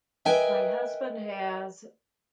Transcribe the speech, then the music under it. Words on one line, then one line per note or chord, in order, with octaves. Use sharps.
my husband has
A#4 B4 D#5 E5 G5 G#5